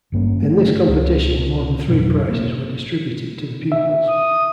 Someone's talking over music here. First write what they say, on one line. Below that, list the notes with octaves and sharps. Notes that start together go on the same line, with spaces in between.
In this competition, more than three prizes were distributed to the pupils.
G#1 G2 A#3 C#4
A3
C#2
G#1 F2 B2 F#3
A#3
E5
D#6